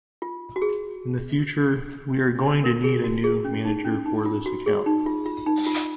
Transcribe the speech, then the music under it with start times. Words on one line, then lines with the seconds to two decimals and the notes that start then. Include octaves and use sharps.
In the future, we are going to need a new manager for this account.
0.22 F4
0.56 F#4
0.62 G#4
2.64 A#4
2.84 G#4
3.04 F#4
3.24 G#4
3.44 C#4
3.65 D#4
3.85 C#4
4.06 D#4
4.26 F4
4.46 F#4
4.66 G#4
4.86 D#4
5.06 F4
5.26 F4
5.46 D#4
5.66 F4